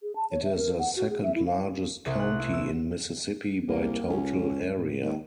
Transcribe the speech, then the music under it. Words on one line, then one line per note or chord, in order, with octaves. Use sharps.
It is the second-largest county in Mississippi by total area.
G#4
A5
C#5
E5
A#4
F#5
F#4
G#4
E5
E4
F5
C2
F#6
E4
E6
C2 A#3
C#2 C#4
A2
D#2